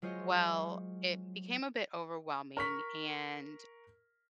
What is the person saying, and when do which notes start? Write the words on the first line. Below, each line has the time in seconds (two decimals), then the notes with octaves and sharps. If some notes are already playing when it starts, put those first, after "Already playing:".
Well, it became a bit overwhelming and
0.02 F#3 G#3 F4 C5 C#5 D#5
2.57 A#4 C#6 B6